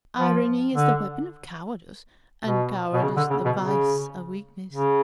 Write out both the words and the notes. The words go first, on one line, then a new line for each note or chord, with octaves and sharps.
Irony is the weapon of cowardice, and cowardice the vice of weakness.
F3
D3
B2
B2
C#3
D3
C#3
B2
C#3
C#3